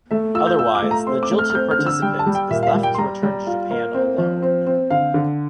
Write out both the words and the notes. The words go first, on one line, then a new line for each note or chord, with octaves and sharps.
Otherwise, the jilted participant is left to return to Japan alone.
A3 E5
F4 E6
G6
F4 E6
D6
A3
A#5
C4 C6
D6
A3
F6
F6
C4 G6
F6
D3
E6
G3 G5
A5
G3
G5
A#2 E5
F5
E5
G3
G5
C6
G3 A#5
G3
F4
A#3
C4
F3
C4
C4
D3 F5
D3